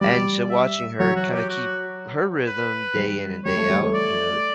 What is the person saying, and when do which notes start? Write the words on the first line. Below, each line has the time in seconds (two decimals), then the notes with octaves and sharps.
And, so watching her kinda keep her rhythm, day in and day out, you know,
0.01 G3 D5
0.51 E5
0.99 F#3 C#5
1.16 F#4
1.33 G4
1.49 F#4
2.47 B4
2.96 G3
3.45 G3 C#5
3.57 A3
3.70 G3
3.82 A3
3.94 D5